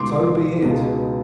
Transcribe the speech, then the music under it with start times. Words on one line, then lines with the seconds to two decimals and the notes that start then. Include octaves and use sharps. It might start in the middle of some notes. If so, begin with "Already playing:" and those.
"So be it."
Already playing: C#2 B2 G#3 B3 D#4 C6 D6
0.62 C#2 B2 G#3 B3 D#4